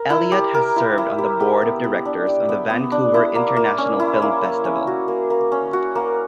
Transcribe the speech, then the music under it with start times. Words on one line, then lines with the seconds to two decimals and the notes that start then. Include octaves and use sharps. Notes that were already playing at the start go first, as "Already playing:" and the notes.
Elliott has served on the board of directors of the Vancouver International Film Festival.
Already playing: A#4
0.10 E4
0.32 G4
0.54 A#4
0.76 E4
0.98 E4
1.18 G4
1.40 G4
1.62 B3
1.84 B3
2.05 D4
2.27 G4
2.49 B3
2.70 B3
2.92 D4
3.14 E4
3.35 A#3
3.56 A#3
3.78 C#4
4.00 E4
4.22 A#3
4.44 A#3
4.65 C#4
4.87 F#4
5.08 A#3
5.30 A#3
5.52 C#4
5.73 F#4
5.95 A#3